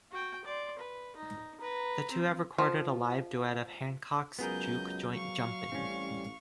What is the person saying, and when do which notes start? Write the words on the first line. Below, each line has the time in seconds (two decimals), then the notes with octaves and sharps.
The two have recorded a live duet of Hancock's "Juke Joint Jumpin'".
0.11 F#4 G5
0.45 D5 C6
0.79 B4
1.16 D#4
1.61 B4 A#5
2.11 C4
2.58 F3
4.39 C#2 F#3 B3 G#4 A#4 D#5 G6
5.14 F5 C#6
5.72 A1 G3 C4 C#4